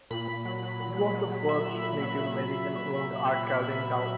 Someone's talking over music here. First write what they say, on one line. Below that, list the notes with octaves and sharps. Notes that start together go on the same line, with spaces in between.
It was the first Native American-owned art gallery in Taos.
A#2 B5
A#2
F#3
F#3
A#2
F#3
F#3
F#3
F#3 E5
A#2
A#2
F#3
A#2